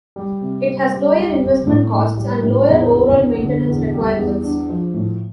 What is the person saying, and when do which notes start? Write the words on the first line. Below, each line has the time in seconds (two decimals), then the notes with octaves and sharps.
It has lower investment costs, and lower overall maintenance requirements.
0.16 G3
0.42 C3
0.67 G3
0.91 G3
1.17 G3
1.43 C4
1.67 A2
1.92 A2
2.17 G3
2.43 A2
2.68 E2
2.92 E2
3.18 D4
3.43 D3
3.69 E2
3.94 G3
4.18 E2
4.44 D4
4.69 F3
4.94 A2